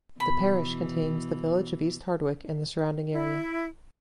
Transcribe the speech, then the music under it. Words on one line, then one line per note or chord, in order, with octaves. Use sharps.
The parish contains the village of East Hardwick and the surrounding area.
B2 E3 B5
E4